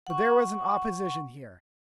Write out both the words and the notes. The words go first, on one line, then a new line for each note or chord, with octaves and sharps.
But there was an opposition here.
F#5 C#6